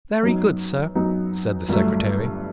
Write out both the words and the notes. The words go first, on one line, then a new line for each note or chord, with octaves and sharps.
"Very good, sir," said the secretary.
F#2 F#3 B3 D#4
F#2 F#3 B3 D#4
G1 G2 F#3 A3